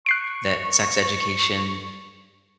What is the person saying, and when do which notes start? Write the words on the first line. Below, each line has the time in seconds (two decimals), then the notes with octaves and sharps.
that sex education
0.06 C#6 F#6 C7 D7